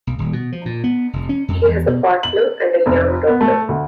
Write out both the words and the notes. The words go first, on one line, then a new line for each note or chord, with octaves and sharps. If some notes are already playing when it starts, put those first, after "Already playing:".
He has a partner and a young daughter.
B1
D#1
B2
F3
A#2
B3
F1
C#4
F2
E2
B2
F#7
F1
B3
A3
D2